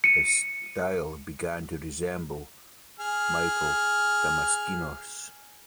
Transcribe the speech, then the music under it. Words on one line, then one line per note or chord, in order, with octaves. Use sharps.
His style began to resemble Michael Damaskinos.
C#7 D#7
G#4 F6